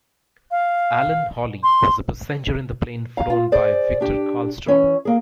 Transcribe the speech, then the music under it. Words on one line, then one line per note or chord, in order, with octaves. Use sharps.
Alan Hawley was a passenger in the plane flown by Victor Carlstrom.
F5
C6
F5 A#5
F4
G#4 C5 D5
D4 G4
E3 C#4
A#3 G#4